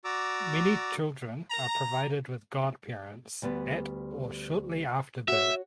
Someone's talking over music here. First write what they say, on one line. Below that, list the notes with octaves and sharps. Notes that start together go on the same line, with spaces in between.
Many children are provided with Godparents at or shortly after birth.
F#4 D5 A#5 D6 E6
A#5
D2 G3 B3
F#4 C#5 E5